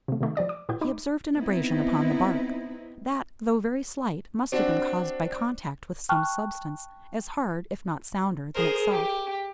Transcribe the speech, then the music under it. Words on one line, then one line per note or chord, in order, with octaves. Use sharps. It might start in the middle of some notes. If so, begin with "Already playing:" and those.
He observed an abrasion upon the bark; that, though very slight, must have been caused by contact with some substance, as hard, if not sounder, than itself.
C3 A3
C3 D#3 A3 D#4
F3 G4 D5 D#6
D6
A#2 E4 F#4 G4 B4 G6
D#4 B5 D6
B3 C4 D#4 E4
C4 D4 F#4
G5 A5 C#6 F6 F#6
G#4 A#4 C5
G4